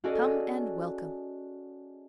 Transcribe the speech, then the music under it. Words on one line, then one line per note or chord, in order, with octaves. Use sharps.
"Come, and welcome."
C#4 F#4 G#4 A4 D5 D#5